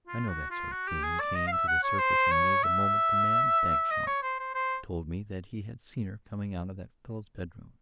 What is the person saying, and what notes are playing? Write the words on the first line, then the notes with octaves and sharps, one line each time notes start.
I know that sort of feeling came to the surface in me the moment the man Bagshawe told me that he had seen her coming out of that fellow's bedroom.
F4
F#4
F4
F#4
G4
G#4
D5
D#5
F5
E5
F#5
C#5
C5
C#5
E5
D#5
C#5
C5
C5
C5